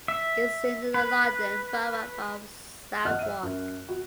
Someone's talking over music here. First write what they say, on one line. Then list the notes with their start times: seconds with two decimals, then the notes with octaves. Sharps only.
It is in the London Borough of Southwark.
0.08 E5
0.94 B4
3.05 D#5 F#5 F6 F#6
3.19 E5 D#7
3.43 F#2
3.89 F#4